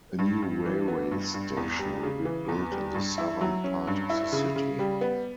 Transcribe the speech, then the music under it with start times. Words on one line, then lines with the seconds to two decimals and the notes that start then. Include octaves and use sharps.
A new railway station will be built in the southern part of the city.
0.19 G2
0.42 G2
0.65 E3
0.88 B3
1.11 G2
1.34 G2
1.57 E2
1.79 G3
2.03 C#3
2.25 E3
2.48 E2
2.72 G3
2.94 G2
3.18 E4
3.41 F#3
3.64 C#4
3.87 G2
4.10 E4
4.32 C#3
4.56 C#3
4.79 G3
5.01 B3